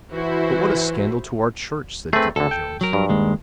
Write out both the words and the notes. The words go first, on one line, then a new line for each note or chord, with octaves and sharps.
"But what a scandal to our church!" said Deacon Jones.
E3 E4 F#4 C5
A3 C4 G#4 B4
D2 D3 A4
G5
F#3 A#4
G2
D#2 G#3